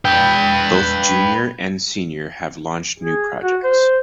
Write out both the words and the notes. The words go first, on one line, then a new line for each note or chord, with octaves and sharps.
Both Junior and Senior have launched new projects.
B4 G5
G#4
F#4
C5